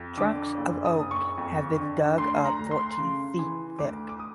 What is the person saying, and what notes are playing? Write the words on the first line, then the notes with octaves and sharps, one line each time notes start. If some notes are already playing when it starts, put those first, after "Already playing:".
Trunks of oak have been dug up fourteen feet thick.
Already playing: F2
D3 D6
F#1
D#6
F#1
C#6
F2
D3
D2 C6
A#5
D2
C6
C#3
E3
D2 D6
D6
D#6